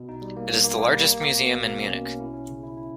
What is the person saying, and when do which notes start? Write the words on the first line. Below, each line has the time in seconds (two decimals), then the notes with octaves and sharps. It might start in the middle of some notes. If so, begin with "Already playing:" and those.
It is the largest museum in Munich.
Already playing: B2
0.09 D#4
0.22 G3
0.37 A#3
0.51 A#3
0.64 A#3
0.78 A#3
0.93 G3
1.07 A#3
1.21 A#3
1.36 B2
1.50 B2
1.64 A#3
1.77 C#4
1.92 B2
2.06 C#4
2.20 E4
2.34 C#4
2.49 C#3
2.63 E4
2.77 E4